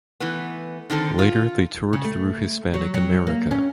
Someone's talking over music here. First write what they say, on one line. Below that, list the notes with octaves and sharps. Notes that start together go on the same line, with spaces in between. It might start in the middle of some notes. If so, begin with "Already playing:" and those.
Later they toured through Hispanic America.
E3 A3 B3
D3 D#3 C4 A4
F4
C#3
A3
F#3
F#3
A#3
C#4